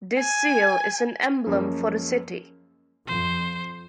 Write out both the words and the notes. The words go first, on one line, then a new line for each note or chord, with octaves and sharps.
This seal is an emblem for the city.
G#5
F#2 F3 G#3 A#3 C#4
F2 C5